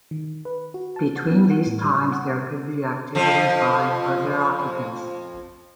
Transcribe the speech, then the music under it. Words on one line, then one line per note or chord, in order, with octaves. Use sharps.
Between these times there could be activity by other occupants.
D#3
B4
F#4
A5
F#4
B3
F#5
A2
G3
F#5
F2 F3